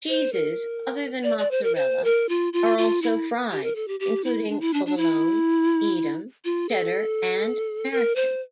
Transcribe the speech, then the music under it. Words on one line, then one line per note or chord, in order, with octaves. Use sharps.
Cheeses other than mozzarella are also fried, including provolone, Edam, cheddar, and American.
C5
A#4
D5
D5
C5
A#4
C5
A#4
F4
F4
F4
E4
G4
A#4
A4
G4
G4
E4
D4
E4
D4
D4
E4
F4
A4
A#4
C5